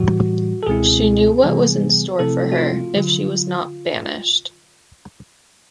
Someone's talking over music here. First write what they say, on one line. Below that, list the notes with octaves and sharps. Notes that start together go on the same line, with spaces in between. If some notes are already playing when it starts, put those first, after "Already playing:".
She knew what was in store for her if she was not banished.
Already playing: A2 E3 G3 F#4
A4
C#2 B2 G#3 C4 E4 G#4
C3 E3 G3 B3
C3 F3 A3 C4 E4 A4
F#4
F4
D3 F#3